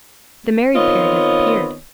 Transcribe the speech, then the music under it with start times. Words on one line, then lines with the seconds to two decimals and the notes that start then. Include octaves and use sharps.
The married pair disappeared.
0.76 D#3 B3 C4 F4 C#5 D#5